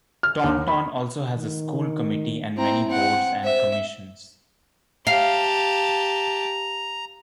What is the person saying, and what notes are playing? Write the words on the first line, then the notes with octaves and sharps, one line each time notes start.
Taunton also has a School Committee and many boards and commissions.
F6
D#2
B5
D#3
C4 E4 A#5
C4 F#5
C5 E5
G4 F5 A5 A#5